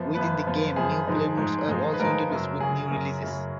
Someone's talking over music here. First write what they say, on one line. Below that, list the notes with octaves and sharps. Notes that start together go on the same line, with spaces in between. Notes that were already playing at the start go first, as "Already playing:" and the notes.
Within the game, new play modes were also introduced with new releases.
Already playing: F#2 F3 B3
F#2 F3 B3 B4
F#2 F3 B3
F#2 F3 B3 G#4
G#2 F3 G#3 D#4
G#2 F3 G#3 D#4
G#2 F3 G#3 D#4
B4
G#2 F3 G#3 D#4 A#4
F#2 C#3 F#3
F#2 C#3 F#3 G#4
F#2 C#3 F#3 A#4
F#2 C#3 F#3